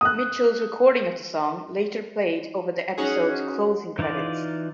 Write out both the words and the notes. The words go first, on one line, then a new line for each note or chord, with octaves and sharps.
Mitchell's recording of the song later played over the episode's closing credits.
D#6 F#6
C#4 D#4 F#4 G#4
E3 D#4 F4 D5